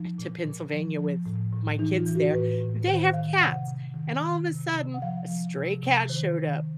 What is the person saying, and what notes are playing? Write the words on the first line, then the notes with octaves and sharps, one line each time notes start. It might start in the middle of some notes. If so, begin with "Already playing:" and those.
eh, to Pennsylvania with my kids there, they have cats, and all of the sudden, a stray cat showed up,
Already playing: F3 D#4
A#2
A#2
F3
F3
A2
A2
E3 D#4
F4
E3
F#4
A2 B4
A2
D#3 C5
D#3 F5
C3 F#5
C3
D#3
D#3
C3
C3
F#5
F3 F5
F3
C3
C3
D#3 C5
D#3